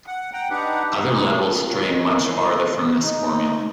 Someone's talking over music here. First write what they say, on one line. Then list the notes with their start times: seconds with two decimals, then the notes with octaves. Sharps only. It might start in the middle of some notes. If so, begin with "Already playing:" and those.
Other levels stray much farther from this formula.
0.07 F#5
0.33 F#5 G5 A#5
0.50 D4 D#4 G4 B4 F#5
0.96 E3 D#4 G#4 F#5
1.66 A#3 F4 F#4 C#5
1.81 C5 C#5 D#5 G#5
2.06 C#3 E3 A#3 B3
2.26 C5 D#5
2.50 A#5
3.03 D#4